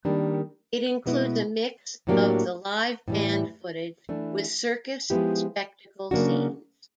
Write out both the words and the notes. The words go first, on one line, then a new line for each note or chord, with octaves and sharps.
It includes a mix of the live band footage with circus spectacle scenes.
D#3 G3 A#3 D4
B2 G#3 B3 E4
A2 F#3 A#3 D4 G4
A2 E3 G3
E3 A3 D4
F3 G#3 B3 E4 G4
C#3 F#3 A#3 D4 F#4